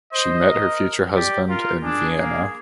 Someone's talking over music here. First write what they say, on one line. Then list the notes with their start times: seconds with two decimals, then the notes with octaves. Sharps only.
She met her future husband in Vienna.
0.13 C5 D#5
0.47 A#4
1.15 G4 D5
1.50 F4 A#4
1.84 D4 G#4
2.18 A#3